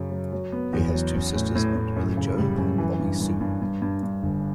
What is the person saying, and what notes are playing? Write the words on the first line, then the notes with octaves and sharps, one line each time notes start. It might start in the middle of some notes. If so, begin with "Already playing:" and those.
He has two sisters named Billie Joe and Bobby Sue.
Already playing: F#2 C#3 F#3
F#3
F#3
B3
E2
F#3
C#4
A2
A2
A2
F#2
C#3
G3
F#2
E3
G2
G2
G2
G2
G2
G2
G1